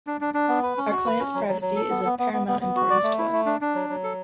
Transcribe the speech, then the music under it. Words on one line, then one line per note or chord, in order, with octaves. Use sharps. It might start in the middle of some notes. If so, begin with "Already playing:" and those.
Our client's privacy is of paramount importance to us.
D4
D4
D4
B3
B4
C#4
F#4
B4
C#4
F#3
F#3
F#3
A4
B3
B3
B3
B3
B3
B3
F#4
D5
A3
E4
A3
D4
D4
F#3
F#3
A4